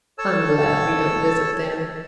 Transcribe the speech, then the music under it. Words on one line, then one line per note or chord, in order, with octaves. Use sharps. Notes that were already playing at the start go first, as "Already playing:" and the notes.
I'm glad we don't visit them.
A4 C#5 A5 E6